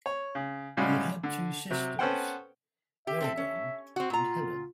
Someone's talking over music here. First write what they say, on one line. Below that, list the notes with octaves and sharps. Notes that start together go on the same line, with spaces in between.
He had two sisters: Erigone and Helen.
C#5
C#3
A2 C#3 G3 G#3 C#4 F#4
D3
C3 F#3
B3 C#4 A4 C5 F#5 G5
G4 E5
C4 D4 A4
C#4
C4 F#4
A#2 F4 A#5